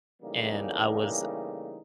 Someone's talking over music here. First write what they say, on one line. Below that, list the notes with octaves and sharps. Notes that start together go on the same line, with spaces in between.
and I was"
C#3 E3 G3 A3 A#3 D#4